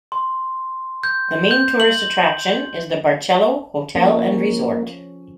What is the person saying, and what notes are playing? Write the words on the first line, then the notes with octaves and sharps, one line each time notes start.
The main tourist attraction is the Barcelo Hotel and Resort.
C6
G6
G6
F#7
F3 A#3 C#4 A4